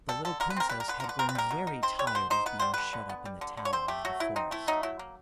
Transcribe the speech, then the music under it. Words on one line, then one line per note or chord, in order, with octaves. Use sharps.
The little princess had grown very tired of being shut up in the tower of the forest.
G3 A4
D3 A4
D3 A#4
B4
C4 A#4
G3 B4
A#4
D3 B4
A#4
D3
B4
C4 A#4
B4
G3 A#4
B2
D#4
C4 C5
G3 C#5
B4
B2 C5
D#4 C5
B3 B4
G3 C5
D3 B4
D3
B3
G3
D3
D3
C#5
C4 C5
A3 G4
F#3 F#4
F#3 E4
C4 D#4
A3 E4
F#3 D#4
F#3 E4
A#3